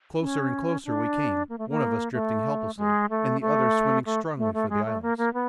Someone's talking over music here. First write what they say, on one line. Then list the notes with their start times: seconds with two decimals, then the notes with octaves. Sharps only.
Closer and closer we came, one of us drifting helplessly, and the other swimming strongly for the islands.
0.20 C#4
0.85 D4
1.49 A#3
1.58 A3
1.69 A#3
2.13 A3
2.77 G#3
3.10 A3
3.41 A3
4.05 A3
4.38 A3
4.54 A3
4.69 G#3
4.86 A3
5.02 A#3
5.18 A#3
5.34 B3